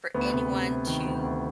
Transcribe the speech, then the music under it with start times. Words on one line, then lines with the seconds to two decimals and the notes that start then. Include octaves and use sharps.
for anyone to
0.14 D2 B3
0.33 C3
0.51 C3
0.70 C3
0.87 D#3
1.06 D2
1.23 D2